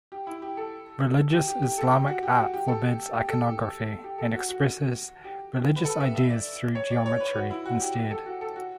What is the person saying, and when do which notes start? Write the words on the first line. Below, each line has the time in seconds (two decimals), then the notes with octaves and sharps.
Religious Islamic art forbids iconography, and expresses religious ideas through geometry instead.
0.12 G4
0.27 E4
0.42 G4
0.57 A4
1.32 G4
1.48 G4
1.63 G4
1.78 A4
1.93 G4
2.08 F#4
2.23 G4
2.38 F#4
2.54 G4
2.68 A4
3.13 G4
3.29 A4
4.04 G4
4.18 A4
4.34 F#4
4.49 F#4
5.24 G4
5.76 B4
5.85 A4
6.00 E5
6.15 E5
6.30 D5
6.75 C#5
6.91 D5
7.06 C#5
7.20 B4
7.36 F#4
7.50 E4
7.66 F#4
7.80 G4
7.95 G4
8.11 A4
8.26 F#4
8.41 A4
8.56 F#4